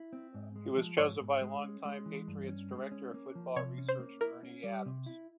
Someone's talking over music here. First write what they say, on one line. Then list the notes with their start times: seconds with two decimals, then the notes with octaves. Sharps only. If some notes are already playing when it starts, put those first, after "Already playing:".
He was chosen by long time Patriots director of football research Ernie Adams.
Already playing: E4
0.13 C4
0.34 G#2
0.56 G#3
0.77 F3
0.98 G#2 C#5
1.20 G#2
1.41 G#3
1.64 C#4
1.85 G#3
2.06 E3
2.28 G2
2.48 C#4
2.71 G#3
2.92 C#4
3.14 A#3
3.35 F3
3.56 C3 C#5
3.78 C#4
3.89 C5
3.99 A#3
4.21 E4 A#4
4.43 C#4
4.64 G3
4.86 C3
5.06 E4